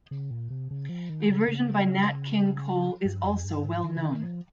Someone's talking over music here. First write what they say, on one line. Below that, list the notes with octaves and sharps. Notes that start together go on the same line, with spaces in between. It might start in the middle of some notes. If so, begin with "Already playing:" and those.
A version by Nat King Cole is also well known.
C#3
A#2
C3
C#3
F3
D#3
C#3
C#3
G2
F2
G2
G#2
D#3
C#3
D#3
F3